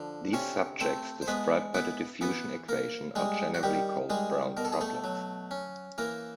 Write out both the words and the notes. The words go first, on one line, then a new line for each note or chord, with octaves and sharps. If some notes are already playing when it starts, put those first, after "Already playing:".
These subjects described by the diffusion equation are generally called Brown problems.
Already playing: D3 F3
C3 C#4 C#5
A3 C4 C5
C5
G#3 B3 B4
B3 E4 B4
E3 B3 B4
A#3 A#4
G3 G#3 G#4
F#4
D#3 G3 G4
G3 G#3 G#4
B2 A#4
A4
G#4
A3 A4
F#3
C#4
E3 A#3 A#4